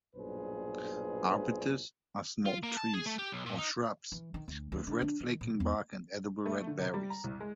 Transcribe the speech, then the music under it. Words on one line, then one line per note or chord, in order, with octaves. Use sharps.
"Arbutus" are small trees or shrubs with red flaking bark and edible red berries.
B1 G2 A#2 G#4 B4 C5
F4
A#3
A5
G#4
A3
G4
B1
A#2
D#4
E3
D#3
D2
D2
D3
D4
D#3
A2
E2
A3
D3
C3
G3
A#5
C2
G#3